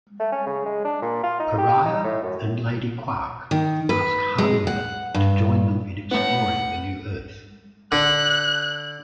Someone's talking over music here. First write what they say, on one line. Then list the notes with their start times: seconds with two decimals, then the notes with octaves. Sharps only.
Pariah, and Lady Quark, ask Harbinger to join them in exploring the new earth.
0.20 A3
0.32 C#4
0.46 C#3
0.65 G#3
0.84 D4
1.02 A#2
1.23 F4
1.40 D#4
1.58 G4
1.85 D#4
2.04 A2
2.22 F#2
3.51 D#3
3.89 B4
4.38 G#3
4.67 F#5
5.14 G2
6.11 A2 B3 F#5
7.92 D3 F#6